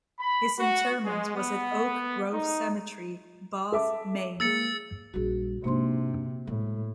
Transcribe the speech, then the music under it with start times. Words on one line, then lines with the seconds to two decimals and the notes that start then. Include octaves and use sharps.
His interment was at Oak Grove Cemetery, Bath, Maine.
0.18 B5
0.59 F#4
1.04 G#3
1.36 B3
2.33 D#4
3.72 A4 E5 D6
4.40 G#3 A#3 E6 A6 C#7
5.14 A#1 G3 F#4 G#4
5.64 G#2 C3 A#3 D4 C5 C6
6.47 A2 G#3